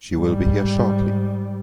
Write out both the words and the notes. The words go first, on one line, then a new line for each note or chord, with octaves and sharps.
She will be here shortly.
G#2 G3